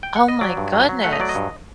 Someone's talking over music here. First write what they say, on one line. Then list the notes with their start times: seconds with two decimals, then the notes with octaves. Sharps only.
Oh my goodness.
0.03 G5
0.16 F#5
0.28 D#5
0.41 F#3 D5
0.57 G2
0.73 F#3
0.89 F#3
1.04 A3 F#5
1.13 D#5
1.20 F#3 D5
1.29 D#5
1.35 G2